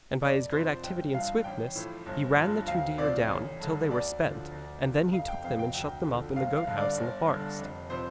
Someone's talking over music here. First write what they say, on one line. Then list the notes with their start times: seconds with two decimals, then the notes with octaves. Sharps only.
And by his great activity and swiftness he ran the two deer down till they were spent, and then he took them and shut them up in the goat-house in the forest.
0.22 F1 D5
0.52 F2 C3 F3 C5
0.83 G1 G5
1.14 G2 F3 F5
1.44 A1 G5
1.75 A2 F3
2.06 G1
2.37 G2 F3
2.68 D2 F5
2.98 C3 F3 D5
3.29 A1
3.60 G2 D3
3.90 D2 D5
4.21 D3 F3
4.52 D2
4.83 C3 F3
5.13 F1 F5
5.28 G5
5.44 F2 C3 F3 F5
5.59 G5
5.74 D2 G5
6.05 D3 F3
6.36 G1 F5
6.57 F5
6.67 G2 D3
6.77 D5
6.97 G1
7.28 G2 D3
7.59 F1
7.90 C3 F3 C5